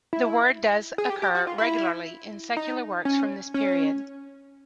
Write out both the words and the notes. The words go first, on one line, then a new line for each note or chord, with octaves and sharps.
The word does occur regularly in secular works from this period.
E4
G#4
G4
G4
F#4
F4
E4
D#4
C#4
C#4